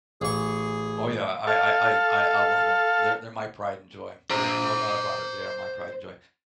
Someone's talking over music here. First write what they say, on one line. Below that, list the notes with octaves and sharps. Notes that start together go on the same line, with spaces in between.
Oh, yeah, I I I I I love 'em, they're they're my pride and joy, there no doubt about it, they are my pride and joy.
A1 G#4 C#6
A4 F5
C5 A#5